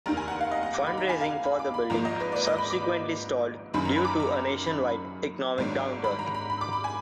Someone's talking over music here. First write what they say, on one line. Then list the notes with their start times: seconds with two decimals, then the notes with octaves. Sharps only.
Fundraising for the building subsequently stalled due to a nationwide economic downturn.
0.06 F1 D#2 D#3 A#5
0.17 G#5
0.28 F#5
0.41 F5
0.51 D#5
0.63 F#5
0.74 D6
0.86 B5
0.98 A#5
1.09 G#5
1.21 F5
1.44 B5
1.59 D6
1.74 B5
1.90 G#1 G#2 F3 A#3 D#4 A#5
2.05 D#5
2.20 B4
2.32 D5
2.36 B4
2.47 D#5
2.58 B5
2.70 D6
3.74 F#1 F#2 D#3 B5
3.85 A#5
3.96 B5
4.05 D6
4.08 B5
4.20 A#5
4.66 B5
5.58 G#1 G#2 F#3 D4
6.04 B5
6.19 A#5
6.34 B5
6.50 B5
6.61 D6
6.73 B5
6.84 G#5